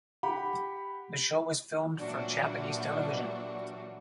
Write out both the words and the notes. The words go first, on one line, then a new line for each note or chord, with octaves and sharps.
The show was filmed for Japanese television.
G4 F#5 B5
A#2 E3 F#3 G3 D4 F#4